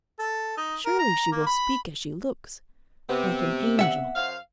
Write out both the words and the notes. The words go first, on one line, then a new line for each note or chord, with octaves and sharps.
"Surely she will speak as she looks, like an angel."
A4
D#4
A#4
A#5
A#3
B5
C3 B3 C4
E5 F#5
F#2 C5 F5